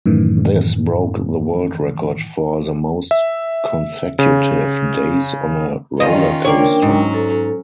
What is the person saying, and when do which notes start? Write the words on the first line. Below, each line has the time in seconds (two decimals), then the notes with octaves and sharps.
This broke the world record for the most consecutive days on a rollercoaster.
0.06 F#2 A2 D#3 E3
3.11 E5
4.19 C#3
6.00 E2 D#3 C#4 F4 D#5 F5
6.45 A#3 D4 A#4 C#5 G5
6.82 G#2 F#3 C#4
7.14 A4